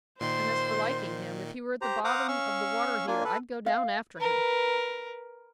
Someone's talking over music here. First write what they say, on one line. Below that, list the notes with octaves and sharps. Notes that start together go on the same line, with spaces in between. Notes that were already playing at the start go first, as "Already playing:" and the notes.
And, as for liking him, if he were at the bottom of the water here, I'd go down after him.
A#2 D#3 C5 C6
G4 C5 A#5
C5 F5 F#5 A#5 D6 D#6
C#4 F5 C#6 E6
A#3 D4 F4 G#5
A4 B4
F5
A#4 B4